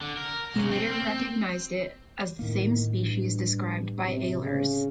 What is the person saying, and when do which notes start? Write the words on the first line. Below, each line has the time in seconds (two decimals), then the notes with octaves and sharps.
He later recognised it as the same species described by Ehlers.
0.01 D3
0.17 A#4
0.55 B1 C#3
0.71 C4
0.92 C4
2.39 A2 D#3 A#3
2.91 G2
4.06 C3
4.43 C#3